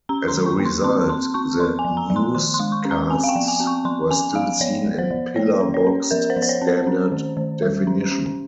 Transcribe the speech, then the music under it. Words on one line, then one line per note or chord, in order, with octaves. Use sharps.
As a result, the newscasts were still seen in pillarboxed standard definition.
C#4 A#5
C6
D#3
C#6
A#3
C6
C4 C6
C4 C6
C4 C#6
F3 C6
G#5
F3
A#5
F3
C6
D#3 C6
C6
G#3
C#6
C#4
A#5
C4 G#5
F5
G5
F3
G#5
C4
C#6
F3 C6
C#4 G#5
F3 F5
F3 C#5
F3
C5
F3
A#3 C#5
C#4
C#5
C#4
F3 A#4
C5
F3
C5
C#5
C4
C5
C#4
D#3
D#3
G3
C#4
C#4